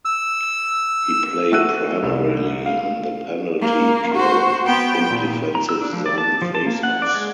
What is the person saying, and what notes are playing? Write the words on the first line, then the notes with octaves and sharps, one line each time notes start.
He played primarily on the penalty kill and in defensive-zone faceoffs.
E6
A3 F#4 E6 F#6 D#7
C2
F5
A#3
F#4 C5
B3 G5
A#2
A#5
E6
D4
F3
D5
A5
F3
A5
A#3
F#5
D5
G#3